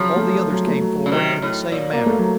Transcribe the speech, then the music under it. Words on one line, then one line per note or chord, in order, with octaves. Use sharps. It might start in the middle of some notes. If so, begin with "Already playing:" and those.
All the others came forward in the same manner.
Already playing: C#3 F3 F#3
A3
F#3
F#3
A3
F#3
F#3
C#3
C3 D#3
A2
A#2
A#3
A3
F#3